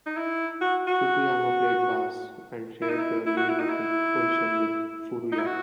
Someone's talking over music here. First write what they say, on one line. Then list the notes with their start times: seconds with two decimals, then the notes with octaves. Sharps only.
Fukuyama played bass and shared the lead vocal position with Furuya.
0.06 D#4
0.18 E4
0.61 F#4
0.87 F#4
2.82 E4
2.90 D#4
2.99 E4
3.26 E4
3.37 F#4
3.49 E4
3.60 D#4
3.70 E4
5.32 D#4
5.39 E4
5.46 F#4